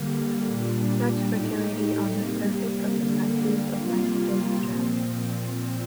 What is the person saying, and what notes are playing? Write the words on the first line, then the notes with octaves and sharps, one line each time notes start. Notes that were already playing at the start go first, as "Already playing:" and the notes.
Such fertility on the surface of the plateaus of limestone strata.
Already playing: D3 G3 A#3
A#2 G3 D4
A2 A3 D#4 G4
C3 G3 A#3
D3 G3 A#3
C3 G3 A#3 F4
A#2 F3 C4